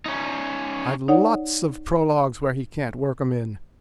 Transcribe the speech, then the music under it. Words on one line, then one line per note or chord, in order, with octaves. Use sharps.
I've lots of prologues where he can't work 'em in.
C#4 D#4
D#4 C#5 D5 F#5